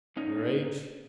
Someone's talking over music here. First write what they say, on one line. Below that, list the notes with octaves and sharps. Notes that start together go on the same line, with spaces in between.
"Your age?"
A#2 C#4 D#4
A#3